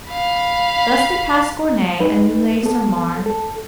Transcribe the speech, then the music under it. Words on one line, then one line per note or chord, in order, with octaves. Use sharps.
Thus they passed Gournay and Neuilly-sur-Marne.
F5 B5
D#4 B4
B3 A4
A4